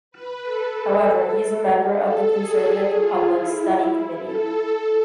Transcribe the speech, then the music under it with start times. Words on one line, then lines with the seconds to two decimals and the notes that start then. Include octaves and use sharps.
However, he is a member of the conservative Republican Study Committee.
0.11 B4
0.42 A4
0.74 A4
2.00 A4
2.32 G#4
2.94 F4
3.26 E4
4.20 A4